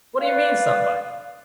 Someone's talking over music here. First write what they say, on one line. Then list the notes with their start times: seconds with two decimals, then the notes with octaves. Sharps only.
What do you mean, somebody?
0.20 B4 D5 F5